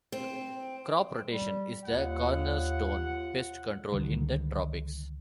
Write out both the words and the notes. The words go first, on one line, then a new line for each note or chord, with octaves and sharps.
Crop rotation is the cornerstone pest control in the tropics.
C4
G3
D#2 F4 F#5
C#2 D3 D#3 G3